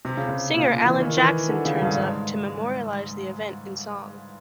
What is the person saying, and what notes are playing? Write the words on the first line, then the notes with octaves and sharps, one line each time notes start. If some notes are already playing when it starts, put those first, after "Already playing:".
Singer Alan Jackson turns up to memorialize the event in song.
C3
C#3
C3
A#2
A#2
E3
D#3
E3
D3
C#3
G2
G#2